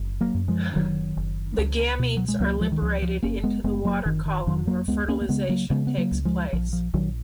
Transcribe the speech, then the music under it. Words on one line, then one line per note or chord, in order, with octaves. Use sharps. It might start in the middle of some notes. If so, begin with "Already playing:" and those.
The gametes are liberated into the water column where fertilisation takes place.
Already playing: F#1
F#3 A#3
F#2
F3 G#3
F#1 D#3 F#3
F#1
C#2
B2
F#3
G#3
C#2 F#3 A#3
F3 G#3
D#3
C#2 F3
F3
F#1 A#3 C#4
G#3 B3
F#1 G#3 B3
F#3 A#3
F#1 D#3
D#3
F2 D#3 F#3
F#3 A#3
C#2 G#3 B3
A#3 C#4
A#3
C#3 G#3 B3
F#3 A#3
C#3 G#3 B3
B3
F#3 A#3
C#2
F3 G#3
A#1 F3
F3
A#1 D#3 F#3